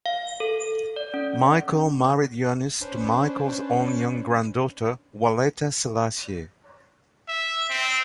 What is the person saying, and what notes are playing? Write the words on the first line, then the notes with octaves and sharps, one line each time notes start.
Mikael married Yohannes to Mikael's own young granddaughter, Waletta Selassie.
F5
A4
D5
C#4
C#4 D4 B4 C5
E5
C4